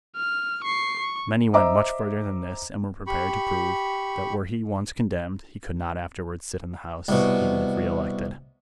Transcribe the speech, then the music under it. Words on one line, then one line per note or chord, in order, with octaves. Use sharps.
Many went much further than this, and were prepared to prove that were he once condemned he could not afterwards sit in the House, even if re-elected.
F6
C#6 C7
C#6
C5 D#5 E5 A#5 D6
G4 B5 C#6
C2 B2